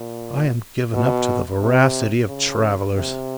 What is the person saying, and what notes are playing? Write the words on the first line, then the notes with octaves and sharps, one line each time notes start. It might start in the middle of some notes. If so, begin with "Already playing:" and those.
I am given up to the voracity of travellers.
Already playing: A#2
B2
C3
C#3
C3